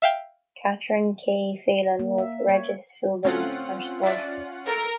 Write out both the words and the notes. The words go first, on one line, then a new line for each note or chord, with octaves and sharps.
Catherine "Kay" Faylen was Regis Philbin's first wife.
E5 F5 G5
A#3
E5
C#5
A3 C4 C#4 F4 C#5 F#5
D5 E5
A4 A#4